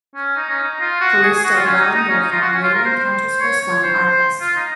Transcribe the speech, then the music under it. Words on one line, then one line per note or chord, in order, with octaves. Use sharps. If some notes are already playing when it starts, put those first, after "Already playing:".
Callisto, while in bear form, later encounters her son Arcas.
C#4
D#4
C#4
D#4
F4
F#4
G#4
G#4
F#4
F4
C#4
D#4
D#4
C#4
D#4
F4
F#4
C#4
F4
A#4
C5
C5
C#5
C#5
C5
C5
F4
D#4